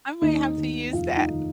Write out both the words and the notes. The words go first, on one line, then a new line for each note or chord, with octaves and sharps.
I might have to use that.
D#2 D#4
D#2
F1 F4
D#4
D#3